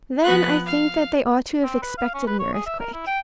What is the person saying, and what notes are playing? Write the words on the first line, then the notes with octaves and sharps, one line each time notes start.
Then I think that they ought to have expected an earthquake.
F3 B3 B4 F#6
F5
C4
B4
F5
C#4
B4
C#5
G#4
E5
A#4
E4
G5